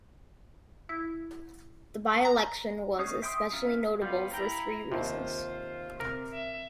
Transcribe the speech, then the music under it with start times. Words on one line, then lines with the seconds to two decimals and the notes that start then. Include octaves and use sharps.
The by-election was especially notable for three reasons.
0.89 E4
2.25 A#5
2.99 C#4 D#4 G#4
3.22 E5 G5 C6 C#6 D#6
3.52 C#4 D#4 F4 E5
4.02 G3 B3 F4
4.34 E4 G5 A#5
4.92 D#2 C3 F4 C5
6.00 C3 A#4
6.33 E5